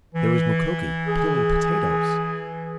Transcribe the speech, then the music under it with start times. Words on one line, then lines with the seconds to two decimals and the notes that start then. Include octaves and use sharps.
There was Mukoki--peeling potatoes!
0.15 E3
1.07 G#4